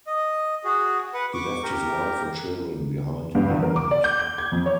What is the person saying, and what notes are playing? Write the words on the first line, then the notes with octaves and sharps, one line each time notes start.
He left his wife and children behind in England.
D#5
F#4 G#4
B4 F#5
C#6 D6
G4 A#4
G2
E2
A#4
D6
D5
G6
G6
G#6
F2
C#5